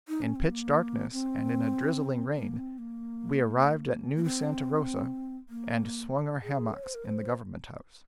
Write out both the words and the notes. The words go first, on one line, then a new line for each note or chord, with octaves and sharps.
In pitch darkness and in a drizzling rain we arrived at New Santa Rosa, and swung our hammocks in the Government House.
D#4
C#4
C4
A#3
C4
A#3
C4
A#3
A#3
C4
A#3
G#4
C#5
C5
A#4
C5